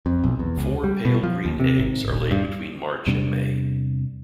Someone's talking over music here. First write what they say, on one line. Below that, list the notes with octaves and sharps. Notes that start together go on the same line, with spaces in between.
Four pale green eggs are laid between March and May.
F2
B1
E2
C#2
G3
B2
F3
D#2
C3
G#1
D#1
G2
E2 C3 G3 D4